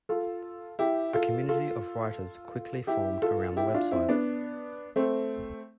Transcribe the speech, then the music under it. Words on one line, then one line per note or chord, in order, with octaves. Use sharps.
A community of writers quickly formed around the website.
F4 A4
E4 G4
F4 A4
F4 A4
E4 G4
F4 A4
E4 G4
E4
D4 F4
C4 E4
B3 D4
A3 C4